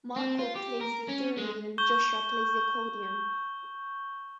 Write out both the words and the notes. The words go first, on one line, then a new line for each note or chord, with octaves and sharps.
Michael plays the theremin and Joshua plays the accordion.
C4
F4
G4
A#4
C#4
G#3
C#6 G6 G7